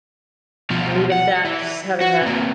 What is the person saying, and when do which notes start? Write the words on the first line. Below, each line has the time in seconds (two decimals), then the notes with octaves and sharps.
and even that, just having that,
0.70 B2 F3
1.12 F#5
1.45 E3
2.01 F#4
2.22 C3 A#3